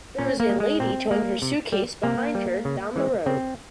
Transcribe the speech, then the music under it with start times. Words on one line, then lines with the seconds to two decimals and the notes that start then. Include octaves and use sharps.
There is a lady towing her suitcase behind her down the road.
0.19 A#2 C#4
0.40 A#3
0.50 G#3
0.60 G#3
0.80 A#2 C4
1.11 G#3 A#3
1.42 C3
1.72 G3
2.03 C3 A#3
2.35 G3
2.65 C#3
2.96 E3 G#3
3.26 C#3 C4